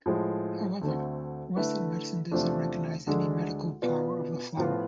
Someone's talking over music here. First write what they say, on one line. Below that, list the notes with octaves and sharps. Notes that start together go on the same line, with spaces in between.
However, western medicine doesn't recognize any medical power of the flower.
A2 F3 G#3
D2 D3 A3 C4
D3 A3 E4 B4
E2 C3 F3 A3 D4
D2 D3 G#3 D4 A4
B2 B3 F4 B4 D5
A2 F3 B3 F4